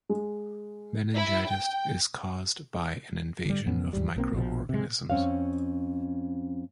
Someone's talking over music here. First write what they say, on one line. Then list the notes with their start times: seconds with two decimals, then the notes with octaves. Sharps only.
Meningitis is caused by an invasion of micro-organisms.
0.09 G#3
1.16 E4
1.48 G5
3.45 D3 G3
3.67 F2 B3 C#4
3.93 D#2 G#2 G3
4.16 B1 A#3 C4
4.33 A#1 B2 F3
4.69 C3 G#3
5.10 F2 C4 C#4 C#5 F5